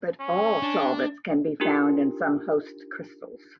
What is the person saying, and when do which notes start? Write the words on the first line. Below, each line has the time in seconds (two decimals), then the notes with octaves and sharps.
But "all" solvents can be found in some host crystals.
0.20 C#4
0.63 D4
1.60 D4 D#4 F4 G4 A#4